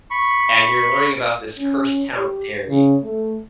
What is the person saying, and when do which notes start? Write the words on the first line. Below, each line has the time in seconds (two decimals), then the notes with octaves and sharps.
and you're learning about this cursed town Derry.
0.11 B5 C#6
1.57 C#4
2.17 G4
2.68 C#3
3.03 A3